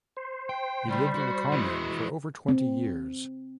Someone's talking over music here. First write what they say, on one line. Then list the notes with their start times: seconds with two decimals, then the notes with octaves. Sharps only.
He lived in a commune for over twenty years.
0.17 C5
0.50 G5
0.88 C#3 G3 G5
1.15 F#4
1.52 E3 G#3
2.48 C4